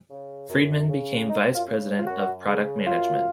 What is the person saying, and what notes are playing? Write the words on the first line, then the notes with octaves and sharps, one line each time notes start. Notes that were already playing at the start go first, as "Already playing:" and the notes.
Friedman became Vice President of Product Management.
C#3
F#2
C#3
F#2 D#4
F4
C#3
F4
F#2 F#4
C#3
F#2 F4